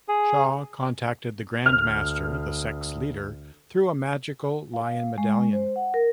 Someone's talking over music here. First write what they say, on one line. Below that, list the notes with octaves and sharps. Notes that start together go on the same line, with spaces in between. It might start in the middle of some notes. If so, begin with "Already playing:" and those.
Shaw contacted the Grand Master, the sect's leader, through a magical lion medallion.
G#4
D2 F6
F5
G#3
C5
F#5
A#4